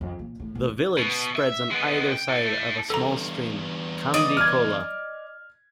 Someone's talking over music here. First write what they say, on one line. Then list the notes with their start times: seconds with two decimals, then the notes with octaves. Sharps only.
The village spreads on either side of a small stream "kamdi khola".
0.01 F2
0.19 A#2
0.40 A2
0.55 A1
0.68 D#2
0.97 B2
1.36 E5
1.71 G#3 B3
2.12 G5
2.28 E4 A4
2.90 E2 G2 A4 A#5
4.14 D5 D#5 D#6
4.37 F6 G#6